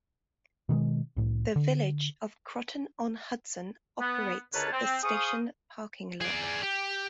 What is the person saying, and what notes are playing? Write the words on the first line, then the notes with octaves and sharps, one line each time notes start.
The Village of Croton-on-Hudson operates the station parking lot.
B2 D#3 F#3 G#3
C2 A2
D3
B3
C#2 D3 A#4 B4 C#5 A5
C4
G#4 C5 F5 C#6 D#6
G#4 D5
G4